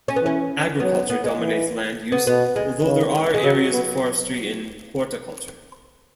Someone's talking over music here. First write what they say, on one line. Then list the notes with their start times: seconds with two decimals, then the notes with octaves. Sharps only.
Agriculture dominates land use although there are areas of forestry and horticulture.
0.08 C#4
0.16 B3
0.22 E3 C#4
0.80 F#3 B3
1.10 B3
1.24 G#3
1.39 E3
2.12 B3
2.26 B2 B3
2.56 G#3
2.85 C#3
3.34 G#3
3.43 C#3 F#3
3.72 B3